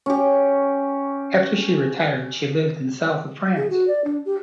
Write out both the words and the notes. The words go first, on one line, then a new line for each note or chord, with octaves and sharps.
After she retired she lived in the south of France.
C#4 G4
G#4
F#4
D5
D4
G4